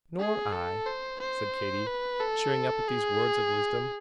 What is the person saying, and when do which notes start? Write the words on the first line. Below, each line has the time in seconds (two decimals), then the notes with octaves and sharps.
"Nor I," said Katy, cheering up at these words of wisdom.
0.20 G#4
0.53 A4
0.87 C5
1.20 C5
1.87 B4
2.21 A4
2.88 G#4